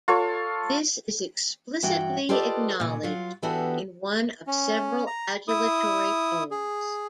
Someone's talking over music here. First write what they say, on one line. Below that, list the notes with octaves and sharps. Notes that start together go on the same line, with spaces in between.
This is explicitly acknowledged in one of several adulatory poems.
F4 A4 C#5
G2 E3 F#4 G5
F4 G4 A4 B4 D5 D#5
A#2 C#3
F#3 F4
E3 B3 D4 F#4 G4 A4
C#4
A#5
E4 D#6
G#4